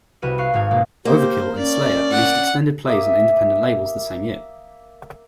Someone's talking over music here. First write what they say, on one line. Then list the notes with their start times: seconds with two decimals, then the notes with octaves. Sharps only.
Overkill and Slayer released extended plays on independent labels the same year.
0.22 C2 F#4 B4 F6 D#7 E7
0.38 F5 C#6 F#6 C7
0.54 G#1 G#2 F5 G#6
0.71 B2 G#3 A#3 C#4
1.05 A#3 G4 C5
1.58 C#4 D5
2.12 F#5
2.87 A#3 E5 D6 D#6